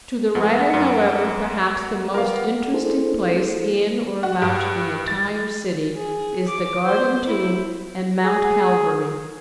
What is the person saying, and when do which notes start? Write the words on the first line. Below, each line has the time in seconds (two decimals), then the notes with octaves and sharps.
To the writer, however, perhaps the most interesting place in or about the entire city is the Garden Tomb and Mount Calvary.
0.35 F2 B3 F#5
0.70 F#2 C#7
2.14 B3 G4 A#4 F5
2.72 A#3 D4 E4 G#4 A4 C5
4.23 F#4
4.42 G2
5.08 A6
5.96 G#4
6.48 D6
6.83 C5
7.26 E4
8.24 G#4